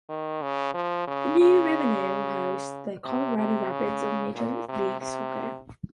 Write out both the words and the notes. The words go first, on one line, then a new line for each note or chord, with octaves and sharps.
The new venue hosts the Colorado Rapids of Major League Soccer.
D#3
C#3
F3
C#3
C#3
C3
C3
C#3
A#2
C3
C3